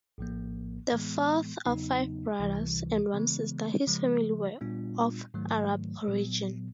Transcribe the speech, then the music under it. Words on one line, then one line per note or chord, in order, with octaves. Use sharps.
The fourth of five brothers and one sister, his family were of Arab origin.
A#1 A2 F3 A#3
A2 E3 G#3 B3
E2 C#3 F#3 B3 D#4
C#2 C3 E3 G3
C#3 E3 G#3 B3
C#3 F3 G#3
A#2 G3 B3 D4 F4
G#2 D#3 F#3 A3
A#2 F#3 B3